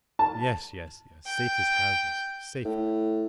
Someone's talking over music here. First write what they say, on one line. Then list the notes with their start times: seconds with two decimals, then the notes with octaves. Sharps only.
"Yes, yes, yes; safe as houses--safer."
0.19 A5
1.26 G5
2.65 A2